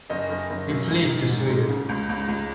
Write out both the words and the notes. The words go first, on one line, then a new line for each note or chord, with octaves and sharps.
He fled to Sweden.
F#1 D#5
F#1
F#1
F#2
G#2
D#3
G#2
G#3
C#3
C#2
C#2
C#2